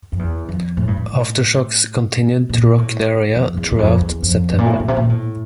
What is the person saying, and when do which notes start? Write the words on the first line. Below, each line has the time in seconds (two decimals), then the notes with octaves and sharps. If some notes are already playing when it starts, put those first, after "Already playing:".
Aftershocks continued to rock the area through September.
0.12 F2
0.19 E2
0.49 F2
0.77 A2
0.87 G2
0.97 A2
2.49 A#2
2.78 A2
3.36 F2
3.57 E2
3.71 E2
3.79 F2
4.01 E2
4.22 F2
4.51 A2
4.58 A#2
4.66 A2
4.80 A#2
4.88 C3
4.97 A#2
5.09 A2